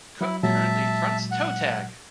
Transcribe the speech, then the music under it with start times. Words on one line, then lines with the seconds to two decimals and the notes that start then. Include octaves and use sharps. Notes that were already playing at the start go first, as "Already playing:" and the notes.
Cook currently fronts Toe Tag.
0.21 F#3 E4
0.43 A#2 F#3 G#3 E5 A5
1.31 F#5